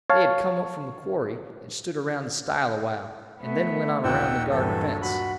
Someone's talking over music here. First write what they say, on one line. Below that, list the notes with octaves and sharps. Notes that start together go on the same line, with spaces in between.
They had come up from the quarry and stood around the stile a while, and then went on around the garden fence.
C#5 F5 A5
A3 B3
A#1 D#2 D#4 F#5 G5 E6
G2 E3 F#3 A4
F#4 B5